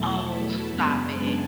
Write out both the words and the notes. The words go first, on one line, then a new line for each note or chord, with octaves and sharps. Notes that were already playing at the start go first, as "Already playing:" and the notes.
Oh, stop it.
Already playing: E2 B2 F#3 A3 E4 A5
B5
F#2 C#3 G#3 B3 D4 A5
G#5